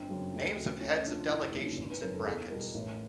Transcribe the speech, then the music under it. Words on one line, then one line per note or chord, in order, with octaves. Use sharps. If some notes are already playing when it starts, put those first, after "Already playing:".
Names of heads of delegations in brackets.
Already playing: G1 C4
F#2 C#3 F#3
D2
C#3 F#3
D2 C#4
C3 F3 D4
F4
F1 E4
D#2 C#3 F#3
G#1
B4
F#2 C#3 A#4
A4
E2 G#4
B2 G3 A#4
A#4
A1